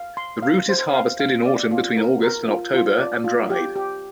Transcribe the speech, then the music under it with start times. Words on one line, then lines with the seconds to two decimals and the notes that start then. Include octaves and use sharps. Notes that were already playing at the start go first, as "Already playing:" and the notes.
The root is harvested in autumn between August and October and dried.
Already playing: F5
0.17 C6
0.43 F5
0.69 C5
0.94 F5
1.19 F5
1.46 D5
1.71 F4
1.97 A#4
2.23 A#4
2.48 F4
2.74 F4
3.00 D5
3.24 F4
3.50 G4
3.76 G4